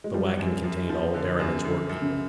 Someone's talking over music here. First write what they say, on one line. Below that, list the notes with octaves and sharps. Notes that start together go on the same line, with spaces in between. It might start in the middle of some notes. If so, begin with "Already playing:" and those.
The waggon contained all Derriman's workpeople.
G#3
F3 G3
F#2
F#2
F3
D3
F#2
F#2 D3
F#2
C#3